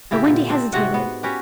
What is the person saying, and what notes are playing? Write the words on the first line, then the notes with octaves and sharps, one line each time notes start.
But Wendy hesitated.
A2 C#3 E4 G4
A#2 D3
C4 D4
G#2 C3 F#4 F#5
B3
C#4 F#4 G4 B4